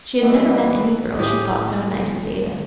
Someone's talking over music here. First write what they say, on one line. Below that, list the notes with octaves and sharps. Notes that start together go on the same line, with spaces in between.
She had never met any girl she thought so nice as Ada.
G2 B2 D#3 E3 B3
A2 G4 G#4